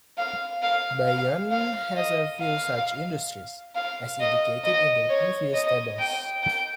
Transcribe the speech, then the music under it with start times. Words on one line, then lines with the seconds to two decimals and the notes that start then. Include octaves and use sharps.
Bayonne has few such industries, as indicated in the previous tables.
0.18 F5
0.62 F5
1.07 F5
1.52 F5
1.96 D#5
2.41 F5
3.75 F5
4.20 D#5
4.64 D#5
5.10 C#5
5.54 D#5
5.99 G5
6.43 G5